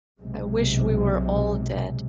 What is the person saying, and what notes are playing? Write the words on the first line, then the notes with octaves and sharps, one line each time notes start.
I wish we were all dead.
B1 C3 G#3